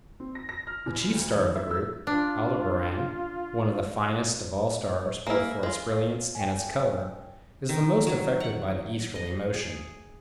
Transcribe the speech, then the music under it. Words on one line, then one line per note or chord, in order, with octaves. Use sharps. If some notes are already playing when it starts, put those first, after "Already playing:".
The chief star of the group, Aldebaran, one of the finest of all stars both for its brilliance and its color, is the most affected by the easterly motion.
C4
A#6
A#6
F6
E2
D2
D#3
E5
E6
D4 F4
A#3 E4 G#5 F6
G#3 F4
G5 G#5
D#3
F#3
F#5
D#5
G#4